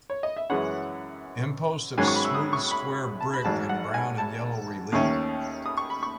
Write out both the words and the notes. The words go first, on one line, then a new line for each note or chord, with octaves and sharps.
Impost of smooth square brick and brown and yellow relieve.
C#5
D#5
E5
F#2 E3 G#3 C#4 F#5
G#2 D#3 F#3 C#4 G#5
C#6
B5
E6
D#6
C#6
B5
A5
B5
A1 G#2 F#3 A5
F#5
G#5
A5
D#2 D#3 A3 C#4
D#6
C#6
B5
C#6